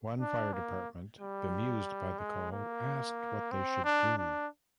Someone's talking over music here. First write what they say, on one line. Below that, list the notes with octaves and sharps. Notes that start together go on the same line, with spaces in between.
One fire department, bemused by the call, asked what they should do.
D4
A#3
G3
G#3
A#3
C4
D4
D4